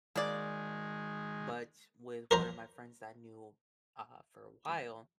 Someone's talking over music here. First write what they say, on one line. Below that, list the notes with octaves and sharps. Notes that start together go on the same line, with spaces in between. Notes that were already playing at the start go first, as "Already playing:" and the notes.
but with one of my friends that I knew, uh, for a while,
D#3 G#3 A#3 G#4 D5
A#4 C5 A#5